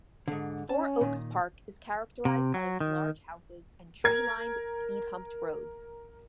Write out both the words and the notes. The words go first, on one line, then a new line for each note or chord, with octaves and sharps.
Four Oaks Park is characterised by its large houses and tree-lined, speed-humped roads.
G#2 D3
C#4 A5
A#2 D#3
C3
F#3
D#3
A#4 G#6